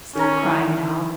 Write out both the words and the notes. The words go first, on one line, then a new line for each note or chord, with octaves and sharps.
Stop crying, now.
D#3 C#4
E3